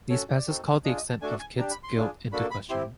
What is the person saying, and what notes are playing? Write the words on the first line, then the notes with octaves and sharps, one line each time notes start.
These passes call the extent of Kidd's guilt into question.
C#4 F#4 A4 C#5
D5
C4 D#4 F#4 A4
D4 F4 G#4 D#5
D#5
A5
A3 D4 F#4 A4 G#5
G#5
D4 G4 A#5
B5
C6
D4 F4 G#4
A#3 D4 F#4 A4 B5
B5
C4 E4 G4 C6